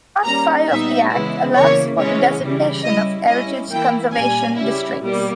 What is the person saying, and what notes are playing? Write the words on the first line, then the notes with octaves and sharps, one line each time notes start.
Part Five of the "Act" allows for the designation of heritage conservation districts.
G3 A#3 C#4 A#5
A#2 G3 B3 D#4 E5
C#3 E3 G#3 B3 E4
C#3 E3 A#3 C#5
C#3 E3 G#3 C#4 C#5
C#3 E3 G3
G3 C#4 E4 D#5
G3 C#4 E4 D#5
E3 A#3 E4 G5
A#2 G3 C#4 G#5
C#3 G3 C#4 E4
B2 G3 A#3